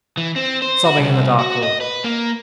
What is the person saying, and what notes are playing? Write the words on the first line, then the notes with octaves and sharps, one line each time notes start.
Sobbing in the dark hall.
E3
C4
C5
F#4
C2
F#4
D#5
B4
A#3